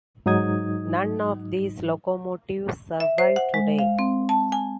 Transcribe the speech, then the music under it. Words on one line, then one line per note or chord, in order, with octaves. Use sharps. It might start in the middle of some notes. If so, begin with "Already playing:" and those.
None of these locomotives survive today.
G#2 F#3 D#4 D#6 G#6
E5
C5
F#5
G#3
F5
C4
A5
G#5